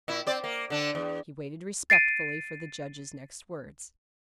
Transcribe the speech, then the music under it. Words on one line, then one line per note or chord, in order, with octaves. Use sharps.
He waited respectfully for the judge's next words.
A#2 E4
C4 D5
A#3
D3 D4
E2
A6 C7 D7 D#7